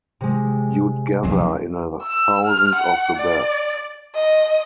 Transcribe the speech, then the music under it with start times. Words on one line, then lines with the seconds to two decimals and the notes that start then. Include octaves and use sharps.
You'd gather in a thousand of the best.
0.21 C3 G#3
1.23 A#1 F2 F#3
2.03 E6
2.46 F6
2.76 F#5
3.17 D5
4.16 D#5